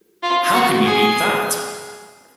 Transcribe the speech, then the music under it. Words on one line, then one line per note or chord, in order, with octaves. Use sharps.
How can you beat that?
F4
F#4
G#4